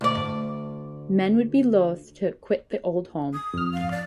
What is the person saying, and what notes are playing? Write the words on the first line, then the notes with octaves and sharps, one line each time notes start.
Men would be loath to quit the old home.
D2 D5
D#6
F2 F6
F5
D5